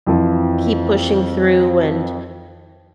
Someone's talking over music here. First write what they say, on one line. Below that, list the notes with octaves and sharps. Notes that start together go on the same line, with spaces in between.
keep pushing through, and
F2 E3 F3